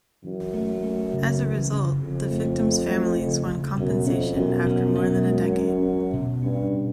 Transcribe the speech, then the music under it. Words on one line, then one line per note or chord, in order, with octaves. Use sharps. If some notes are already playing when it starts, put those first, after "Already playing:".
As a result, the victims' families won compensation after more than a decade.
F#2 E3
A3
A3
C#3
E3
C#3
F2 C#3
A3
A3
A3
C#3
C#3
F#2 B2
F2 C#4
F#2 B2
B2
B2
G#3
C#4
C#4
B2
G2 C#4
B2